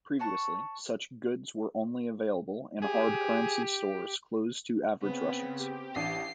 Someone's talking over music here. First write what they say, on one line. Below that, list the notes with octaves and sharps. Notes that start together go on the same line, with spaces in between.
Previously, such goods were only available in hard currency stores closed to average Russians.
C#5 F#5 A5 C#6
G4 G#4
C#3 B3 C4
G4
A1 D4 C7 D#7